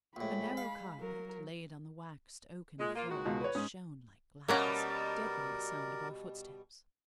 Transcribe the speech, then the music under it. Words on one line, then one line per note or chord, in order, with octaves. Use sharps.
A narrow carpet, laid on the waxed oaken floor, which shone like glass, deadened the sound of our footsteps.
A#1 A2 G#3 B5
F5
F#3 A#4
A#2 G#3
A#3 F4
D#3 G#3 F#4
C#2 B2
B4 C#5
G#2 C#4 D#6
B2 G3 A#3 C#4 F#4 A#4 D5